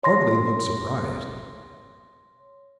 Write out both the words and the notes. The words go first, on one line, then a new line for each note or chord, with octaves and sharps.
Hartly looked surprised.
C#5 C6 A#6